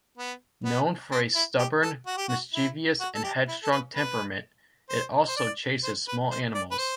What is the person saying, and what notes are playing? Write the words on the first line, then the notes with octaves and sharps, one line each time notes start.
Known for a stubborn, mischievous, and headstrong temperament, it also chases small animals.
B3
B3
C4
E4
G4
A4
F#4
G4
F#4
E4
F#4
A4
G4
E4
A4
B4
B4
C5
C5
D5
C5
B4
C5
D5
B4
C5